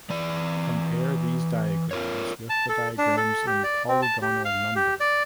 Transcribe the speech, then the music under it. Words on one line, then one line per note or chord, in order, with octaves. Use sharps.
Compare these diagrams with the diagrams in Polygonal number.
E3 D5
F4 A#4 C#5
A5
A4
D4
A4
G4
D5
C4
A5
G4
F5
G4
D5